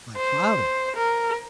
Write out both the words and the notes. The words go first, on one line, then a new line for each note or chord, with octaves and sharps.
"My father!"
C5
A#4